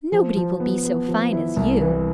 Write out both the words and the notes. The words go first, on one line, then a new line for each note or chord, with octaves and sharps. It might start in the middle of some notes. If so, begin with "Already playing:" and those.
Nobody will be so fine as you.'
F3
F3
B3
B3
F3
E4
C2
E3